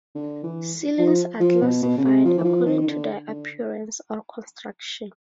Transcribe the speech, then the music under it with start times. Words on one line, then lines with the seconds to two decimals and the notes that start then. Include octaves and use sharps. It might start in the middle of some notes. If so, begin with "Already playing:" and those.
Ceilings are classified according to their appearance or construction.
0.15 D3
0.43 E3
0.99 F3
1.40 F3
1.62 B2
1.83 B2
1.98 C#3
2.04 C3
2.25 F3
2.38 E3
2.45 F3
2.66 D#3
2.81 D#3
2.87 D3
3.28 D3